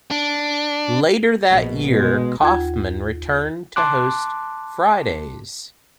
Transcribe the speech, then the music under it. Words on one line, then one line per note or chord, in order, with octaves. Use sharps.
Later that year, Kaufman returned to host "Fridays".
D4
A#1 B2
B2 G#3
D#2 F4 F#5 G#6
A5 C6 D6 F#6